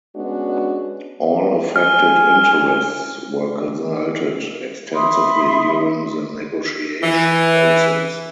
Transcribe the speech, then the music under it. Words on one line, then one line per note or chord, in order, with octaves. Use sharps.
All affected interests were consulted extensively during the negotiation process.
G#3 B3 C#4 D4 F#4
G#5 F6
E5 B5 C6 D#6
E3